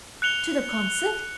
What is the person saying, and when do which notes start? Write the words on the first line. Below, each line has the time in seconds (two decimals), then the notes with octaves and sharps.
"To the concert?"
0.22 F#6 C#7 F7 G7